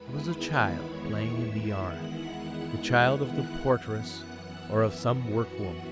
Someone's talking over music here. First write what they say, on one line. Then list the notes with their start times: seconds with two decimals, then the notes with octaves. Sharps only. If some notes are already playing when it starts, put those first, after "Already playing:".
There was a child playing in the yard--the child of the portress or of some work-woman.
Already playing: E2 D#3 G#3 B3 E4 B4 B5
0.35 B4 B5
0.81 C#5 C#6
1.27 E5 E6
1.74 F#5 F#6
3.57 F#2 E3 B3
4.49 E5 E6
4.95 F#4 F#5